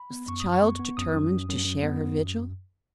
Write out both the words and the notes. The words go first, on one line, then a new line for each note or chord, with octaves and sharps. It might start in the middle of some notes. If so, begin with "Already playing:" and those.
Was the child determined to share her vigil?
Already playing: B5
B3
F#2 C#6
D#6
F#2
C#6
B3
B3
F#2 D#6
F#2
F#2
F#2
F#2
B3
F#2
F#2